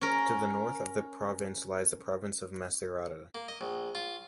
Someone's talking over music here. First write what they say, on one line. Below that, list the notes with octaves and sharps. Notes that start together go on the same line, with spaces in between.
To the north of the province lies the Province of Macerata.
C#4 A#4
A#3
D#5
A#1
F4